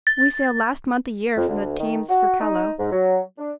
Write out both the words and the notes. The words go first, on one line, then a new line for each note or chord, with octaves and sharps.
"We sailed last month a year from the Thames for Callao."
A6
F2
D2
D#3
F#4
D#4
G#2
F#3
D4